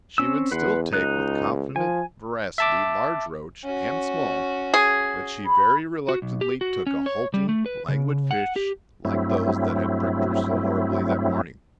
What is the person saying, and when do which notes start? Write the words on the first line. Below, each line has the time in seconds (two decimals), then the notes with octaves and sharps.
She would still take with confident voracity large roach and small; but she very reluctantly took a halting, languid fish like those that had pricked her so horribly that morning.
0.18 C4 C#4 E6
0.51 E2 B4 F#5 C6
0.93 C#2 D#4 F#6
1.76 F3 G#5
2.58 E5 A5 D6
3.64 C#4 F#4
4.74 G#4
5.46 B5
6.09 F#4
6.22 B1
6.41 G4
6.61 F#4
6.87 C#4
7.06 C#5
7.34 G3
7.49 A3
7.66 B4
7.88 C#3
8.31 F#5
8.56 G4
9.05 G2 F#3 A3 C4 E4